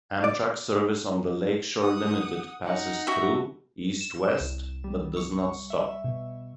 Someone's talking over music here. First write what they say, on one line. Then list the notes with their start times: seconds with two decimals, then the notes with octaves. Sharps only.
Amtrak service on the "Lake Shore Limited" passes through, east-west, but does not stop.
0.24 D5
1.80 F#5 D#6
2.64 D#4 F#5
3.07 F#4 E5
4.01 E7
4.40 C2
4.84 G3
5.17 C#6
5.70 E5
6.04 B2